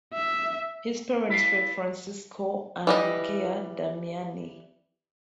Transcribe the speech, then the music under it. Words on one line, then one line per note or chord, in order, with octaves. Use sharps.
His parents were Francesco and Luigia Damiani.
E5
E4 B4 D5 F5
E3 G3 D#5